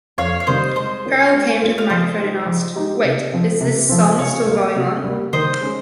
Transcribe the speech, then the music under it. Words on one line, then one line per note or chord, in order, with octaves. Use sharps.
Ferrell came to the microphone and asked, Wait, is this song still going on?
F2 C#5 F5
F5
C3 D#3 G3 C4 C5 D#5
G#3 C5 D#5
C4 F4 A#4 C#5
G#3
C4 F4 A#4 C#5
F5
F3 C5 D#5
G#3 D#4 G4
F3
G#3 D#4 G4
C3
F3 C4
C3
F3 C4
C3 C#5 F5
G3 A#3
C3
G3 A#3
D#3 C5 D#5
G#3 C#4 G#4